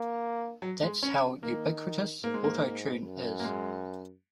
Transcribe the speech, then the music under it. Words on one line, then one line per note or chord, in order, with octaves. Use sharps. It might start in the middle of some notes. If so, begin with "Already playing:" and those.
That's how ubiquitous Auto-Tune is.
Already playing: A#3
F#3
G#3
C#4
D#3 A#3
G#2 A#3
G#3
A#3
F#2
A#3
G#3